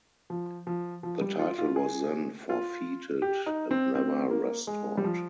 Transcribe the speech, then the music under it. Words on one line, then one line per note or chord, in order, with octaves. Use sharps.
The title was then forfeited and never restored.
F3
F3
F3
G3
F4
F4
G#4
F4
G4
D#4
C4
C4
A#3
G#3
G3
F3